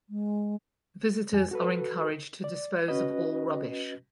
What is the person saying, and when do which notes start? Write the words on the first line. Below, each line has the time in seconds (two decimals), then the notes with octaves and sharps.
Visitors are encouraged to dispose of all rubbish.
0.10 G#3
1.33 F2 G#5
1.51 F#4 A4 B4
2.44 D5
2.88 C#4 F#4 B4 D#5